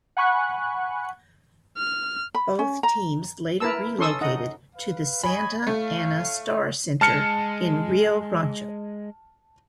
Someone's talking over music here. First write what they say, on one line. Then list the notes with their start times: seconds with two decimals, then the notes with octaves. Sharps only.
Both teams later relocated to the Santa Ana Star Center in Rio Rancho.
0.17 F#5 G#5 B5 C#6 F#6
1.77 F6
2.35 B5
2.59 C#4
2.83 A#5
3.60 E4 A#4 B4 A5 E6
3.99 C#4 A4 C6 C#6 D#6 E6
4.21 D#4 D#5 F#5
4.76 B4 F5
5.24 C#5 D#5 G#5 B5
5.67 A3 E4 C#5 F5
7.01 G#3 A5 F6 C#7